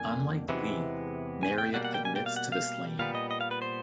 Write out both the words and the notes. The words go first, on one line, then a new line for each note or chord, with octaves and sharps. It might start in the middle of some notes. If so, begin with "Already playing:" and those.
Unlike Lee, Marriott admits to the slaying.
Already playing: F2 D3 A#3 G#5
E2 C3 E3 G#3 B3
G#5
G5
B2 G3 A#3 F#5
F#5
G5
G#5
G5
F5
F#5
F5
A#2 G3 B3 F5
D#5
D#5
F5
B4
C5